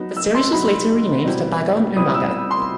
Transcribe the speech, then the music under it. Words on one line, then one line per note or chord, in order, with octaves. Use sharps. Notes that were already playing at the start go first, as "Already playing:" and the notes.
The series was later renamed to "Bagong Umaga".
Already playing: F#3 B3 D#4
E6
C6
F#3 B3 D#4 B5
B2 G3 C4 E4
B2 G3 C4 E4 D#6
E6
C6